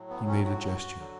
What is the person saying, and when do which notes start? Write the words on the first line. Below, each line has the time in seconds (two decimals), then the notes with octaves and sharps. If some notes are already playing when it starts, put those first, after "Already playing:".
He made a gesture.
Already playing: A2 F#3
0.10 B3
0.28 C#4
0.45 F#4
1.00 D3 F#3